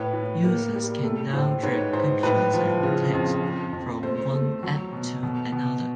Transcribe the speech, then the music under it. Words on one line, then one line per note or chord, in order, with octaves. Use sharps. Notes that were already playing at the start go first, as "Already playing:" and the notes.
Users can now drag pictures and text from one app to another.
Already playing: A2 B4 C#5
A2
A#3
G3
A3
A2 C5
G#2 B4 C#5
G#2 C5
A2 B4
F3
C#3
F2
F2
F2
A3 C5
A3
F#3
B2
B2
B2